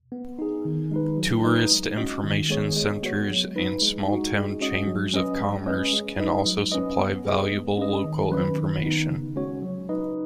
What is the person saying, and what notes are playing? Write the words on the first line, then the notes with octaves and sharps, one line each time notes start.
Tourist information centers and small-town chambers of commerce can also supply valuable local information.
B3
D#4 G#4
D#3
G#3 D#4 B4
F#3
D#4 B4 D#5
G#3
C#4 F#4 D#5
D#3
G#3 B3 G#4 C#5
G#3
B3 F#4 C#5
F#3
D#4 B4
G#3
D#4 F#4
G#3
C#4 F#4 D#5
F#3
C#4 B4 D#5
G#3
C#4 B4 D#5
G#3
D#4 B4 D#5
F#3
C#4 B4 D#5
B3
G#4 B4 D#5
G#3
C#4 B4 D#5
D#3
F#3 C#4 B4
D#3
B3 D#4
C#3
G#3 C#4 F#4 C#5
F#3
D#4 B4 D#5